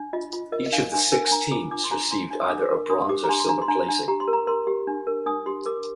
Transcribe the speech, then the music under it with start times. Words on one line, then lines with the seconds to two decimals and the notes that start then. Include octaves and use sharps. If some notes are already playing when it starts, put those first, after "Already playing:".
Each of the six teams received either a bronze or silver placing.
Already playing: D4
0.13 F4 D#5
0.33 F4
0.52 A#4 D#5
0.66 D#5
0.72 D4 F5
0.92 D4 G#5
1.12 A#4 G#5
1.27 G#5
1.31 D4 A#5
1.52 F4 D6
1.71 D4 D6
1.84 C6
1.91 D4 A#5
2.11 D4 C6
2.30 D4
2.40 D#6
2.50 D4 D6
2.70 A#4
2.90 D4 D#6
3.09 G4 D6
3.24 A#5
3.29 D4 C6
3.39 C6
3.49 D4 A#5
3.62 C6
3.68 D4 A#5
3.88 D4
4.08 G4 A#5
4.20 C6
4.28 A#4
4.33 A#5
4.47 A#4 C6
4.67 G4
4.87 D4
5.07 A#4
5.26 D4 D#6
5.46 G4 C6
5.66 A#4 D6